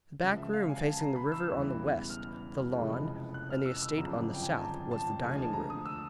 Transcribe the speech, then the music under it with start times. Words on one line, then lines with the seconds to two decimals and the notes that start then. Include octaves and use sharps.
The back room facing the river on the west, the lawn and the estate on the south, was the dining-room.
0.22 C#2 C#3 F3
0.38 E5
0.53 F5
0.70 G#5
0.85 A5
1.00 A#5
1.16 B5
1.32 E6
1.47 E1 E2 C#3 E3 G3
2.10 F6
2.73 F1 F2 C#3 E3 G#3
3.34 F#6
3.50 F6
3.66 E6
3.82 E6
3.97 G1 F2 C#3 F#3 A#5
4.34 G5
4.43 G#5
4.51 A5
4.60 A#5
4.91 A5
5.23 D2 D3 F3 G#3 G#5
5.38 A5
5.53 A#5
5.70 D#6
5.86 E6